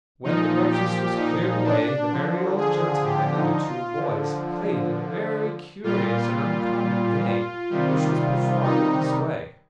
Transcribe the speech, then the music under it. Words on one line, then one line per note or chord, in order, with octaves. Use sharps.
When the breakfast was cleared away; the merry old gentlman and the two boys played at a very curious and uncommon game, which was performed in this way.
A#2 F3 D#4
G4
D#4
D4
D3 F3
G#4
G4
D#4
F4
D3 F3
A#2 G3 F4
C3 D#3 G3
D#4